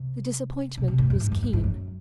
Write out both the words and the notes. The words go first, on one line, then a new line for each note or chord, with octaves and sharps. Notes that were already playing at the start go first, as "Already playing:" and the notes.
The disappointment was keen.
Already playing: C3
C3
C3
A2
F#2
G#2
F#2
G#2
G#2
F#2